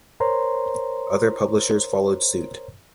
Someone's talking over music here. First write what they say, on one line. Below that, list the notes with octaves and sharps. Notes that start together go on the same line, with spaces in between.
Other publishers followed suit.
A#4 C5 C#5 A#5 C6